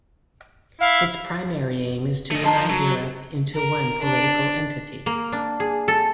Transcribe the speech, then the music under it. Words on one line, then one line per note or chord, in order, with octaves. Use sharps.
Its primary aim is to unite Europe into one political entity.
E4 F5
A3 D#5
F3 C5 D#5 A5 A#5
F#3
A#4
D4
A#3
D4
G#4
A4